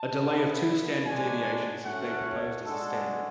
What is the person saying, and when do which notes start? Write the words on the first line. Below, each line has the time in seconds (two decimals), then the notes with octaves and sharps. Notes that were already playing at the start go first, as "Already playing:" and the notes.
A delay of two standard deviations has been proposed as a standard.
Already playing: A5
0.25 B3 E4
1.04 G#3 D4 F#4 G#5
1.84 A3 C#4 F#4 F#5
2.23 C#5
2.63 G#3 D4 F#4 A4